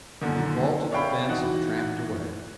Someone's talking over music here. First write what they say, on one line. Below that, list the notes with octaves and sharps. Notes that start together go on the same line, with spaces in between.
He vaulted the fence and tramped away.
F#2 A#2 D3 D#3
C#5 D5 E5 F5 G5 B5
E3 D#4 F#4